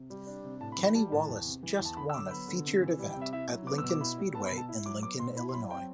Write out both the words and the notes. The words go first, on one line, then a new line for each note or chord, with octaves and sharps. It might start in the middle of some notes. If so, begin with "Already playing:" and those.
Kenny Wallace just won a featured event at Lincoln Speedway in Lincoln, Illinois.
Already playing: C3
G3
D4
C3
A2 A5
B5
E3
B5
G3 A5
A2 A5
E2
C3
E3
E2
A5
D3 B5
E6
F#3 D6
B3 B5
D3
C3
E3
G3
G5
C3
E5
E4 E5
F#3
B3 D6
E6
B2
D6
E4 B5
G3
B3 A5
B5
B2
A5
E4
F#3 D6
B3 D6
B2 C6
E4 B5
C6
F#3 B5
C4 G5